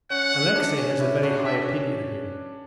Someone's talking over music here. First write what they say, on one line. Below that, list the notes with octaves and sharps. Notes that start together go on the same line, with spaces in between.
Alexey has a very high opinion of him.
C#4 F#5
C#4
D4
C#4
C#4 E4
D4 F#4
D4 E5
C#4